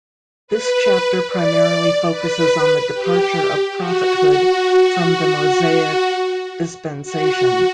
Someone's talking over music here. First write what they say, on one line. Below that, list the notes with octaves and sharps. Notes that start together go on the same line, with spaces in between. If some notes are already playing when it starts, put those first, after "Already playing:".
This chapter primarily focuses on the departure of prophethood from the Mosaic dispensation.
B4
D5
B4
G4
F#4
F#4